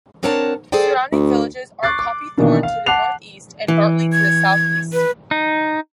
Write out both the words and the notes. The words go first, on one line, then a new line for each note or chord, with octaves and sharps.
Surrounding villages are Copythorne to the northeast, and Bartley to the southeast.
C4 D4 A#4 C#5 F#5 A5
G#4 A4 C5 D5 G5
D2
C#6 D6 F#6 A6 C7
D6
B2 D#3 E3 A#3 D4
F5
F#5 A5 D6 F#6 C7 F7
E3
G#6
B4
D#4